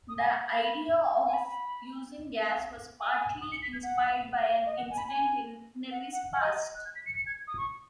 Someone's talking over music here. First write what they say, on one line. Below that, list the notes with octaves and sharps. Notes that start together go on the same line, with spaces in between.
The idea of using gas was partly inspired by an incident in Nebe's past.
D#6
G#5
F#5
B5
G#5
B5
G#5
G#5
G#5
D#6
C#7
B6
G#6
F#5
D#5
F#5
G#5
B5
G#5
F#5
F#5
F#5
D#5
D#5
F#6
G#6
B6
C#7
C#7
G#6
D#6
C#6